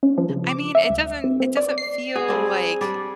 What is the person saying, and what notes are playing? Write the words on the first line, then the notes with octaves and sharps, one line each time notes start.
I mean, it doesn't it doesn't feel like
C#4
F3
C#3
D6
E5
D2
C4
C4
D5
C7
F#4 G#4
G3 C4 D4
G3 D4 D5